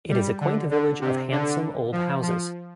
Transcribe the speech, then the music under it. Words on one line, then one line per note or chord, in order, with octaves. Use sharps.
It is a quaint village of handsome old houses.
G3
D3
D3
C3
D3
F3
F3